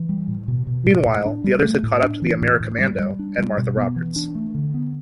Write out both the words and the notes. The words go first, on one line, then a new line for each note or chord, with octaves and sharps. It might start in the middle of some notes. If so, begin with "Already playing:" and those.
Meanwhile, the others had caught up to the Americommando and Martha Roberts.
Already playing: E3
G3
A2
B2
B2
A2
A2
D4
G3
A3
A2
D4
E3
A2
A2
G3
G3
D4
G3
B2
B3
E3
D4
A3
D3
B3